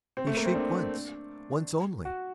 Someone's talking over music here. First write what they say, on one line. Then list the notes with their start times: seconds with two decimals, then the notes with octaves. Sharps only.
He shrieked once--once only.
0.17 C4
0.27 A3
0.37 A#3
0.45 C4
0.54 D4
2.05 F#4